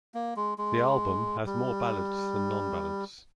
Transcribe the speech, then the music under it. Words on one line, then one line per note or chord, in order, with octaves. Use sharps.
The album has more ballads than non-ballads.
A#3
G#3
G#3
G3